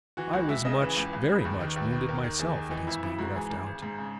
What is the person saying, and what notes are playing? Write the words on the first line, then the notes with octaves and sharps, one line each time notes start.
I was much, very much, wounded myself, at his being left out.
E3 F#4
C#2 F#4
C#2 E5
C#3 D#5
E3 B4
C#2
C#2
C#3
D#2
D#3
D#2
D#3
D#2 A#4
D#3
D#2 G#4
D#3
E3 D#4
G#1 E4
G#1 E4
G#2 F#4
E3 G#4
G#1
G#1
G#2
C#3